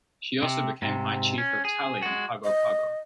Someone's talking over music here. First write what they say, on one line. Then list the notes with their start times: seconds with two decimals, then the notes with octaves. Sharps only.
She also became High Chief of Tali in Pago Pago.
0.43 C3
0.82 G#2 C3
1.38 C#4
1.65 G#4
2.02 G#3 F#4
2.44 D#5